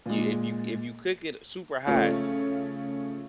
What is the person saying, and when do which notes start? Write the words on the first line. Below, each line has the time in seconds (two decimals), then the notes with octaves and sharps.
You if you c if you cook it super high,
0.06 A#2 G#3
1.87 C#3 F3 A3 C#4